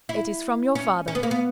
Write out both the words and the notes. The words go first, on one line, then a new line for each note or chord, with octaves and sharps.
"It is from your father."
E4
C#4
C#4
B3
A#3
B3